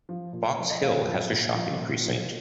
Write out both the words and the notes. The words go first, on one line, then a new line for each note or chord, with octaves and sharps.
Box Hill has a shopping precinct.
F3
A#2
F3
D#5
A#2 F5
F3
A#2
F3
A#2
F3